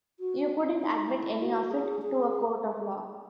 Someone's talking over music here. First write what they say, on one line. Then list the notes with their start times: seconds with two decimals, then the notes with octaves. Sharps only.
You couldn't admit any of it to a court of law.
0.20 F#4
0.80 D#4
1.11 E4
1.42 F#4
1.71 G#4
2.02 G#4